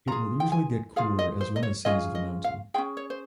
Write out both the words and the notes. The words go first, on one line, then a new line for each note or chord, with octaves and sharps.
It will usually get cooler as one ascends the mountain.
F4 G#4 A#5
G5
G#5
F4 G#4 F5
D#5
C5
D#5
C#5
C#4 F4 G#4 D#5
D#5
F5
C#4 F4 G#4 G5
C#5
C5